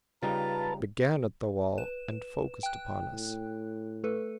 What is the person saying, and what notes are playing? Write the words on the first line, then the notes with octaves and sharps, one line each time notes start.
It began at the wall and focused upon us.
C#3 G3 D#4 F4 B4 A5 A#5
B4 E7
G5 F#6
A2
A3 A4 B4